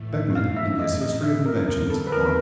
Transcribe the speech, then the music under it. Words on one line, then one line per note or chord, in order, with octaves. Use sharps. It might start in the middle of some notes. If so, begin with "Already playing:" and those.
Beckmann, in his History of Inventions, Vol.
Already playing: A2 E3 A3
E5
F5
E5
D#5
D#5
E5
F2 D3 G3 C4 A#4
A#4
A4
B4
A#4
B4